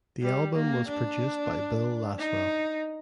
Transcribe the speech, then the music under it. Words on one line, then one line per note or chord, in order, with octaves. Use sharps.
The album was produced by Bill Laswell.
G3
A#3
D4
D#4